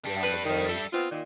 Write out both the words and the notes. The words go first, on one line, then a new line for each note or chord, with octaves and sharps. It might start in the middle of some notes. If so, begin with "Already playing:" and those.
get on the bike.
G3 D4
B4
D#3
A4 E5
B3 C4 F4
A#2 D#3